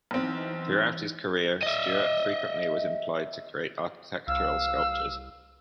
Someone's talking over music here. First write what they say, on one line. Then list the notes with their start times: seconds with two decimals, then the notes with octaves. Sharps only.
Throughout his career Stewart frequently was employed to create architectural sculptures.
0.11 B1 E3 C4 D#4
1.63 D#5 E5
4.28 C2 F5 E6